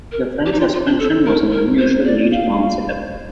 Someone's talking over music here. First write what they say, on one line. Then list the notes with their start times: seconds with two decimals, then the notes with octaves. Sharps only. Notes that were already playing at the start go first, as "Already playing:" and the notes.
The front suspension was an unusual leading-arm set-up.
0.12 A#4
0.46 G4
0.53 D#4
0.60 F4
0.72 F4
0.86 D4
0.99 A4
1.26 A#4
1.52 A#4
1.79 C5
2.05 D5
2.32 F5